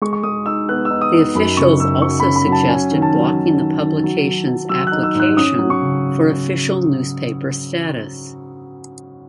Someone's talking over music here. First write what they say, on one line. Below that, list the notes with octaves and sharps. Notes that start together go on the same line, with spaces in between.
The officials also suggested blocking the publication's application for official newspaper status.
G#3 C#6
C#6
G#3 D#6
D#4 E6
B3 F#6
E6
D#4
D#6
D#4
D#6
F#2 B5
C#3 C#6
F#2 E6
F#3 C#6
B5
C#4
B5
F#3
A5
C#4 G#5
D#3
A5
F#3
D#3
D#3
D#3
F#3
F#3
F#3
F#3 E6
F#6
D#4
E6
G#2 F#6
C#4 D#6
F#3
C#6
C#3